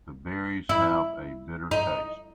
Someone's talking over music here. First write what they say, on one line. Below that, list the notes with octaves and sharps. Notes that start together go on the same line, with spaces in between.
The berries have a bitter taste.
E4
D#4